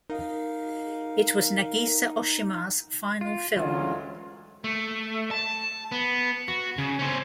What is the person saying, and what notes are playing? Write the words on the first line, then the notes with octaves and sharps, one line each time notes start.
It was Nagisa Oshima's final film.
D#4 A#4 F5
F4
D2 E3 F#3 G#3 C#4 F4
A3
A5
B3
F#4
C#3
C4 C#4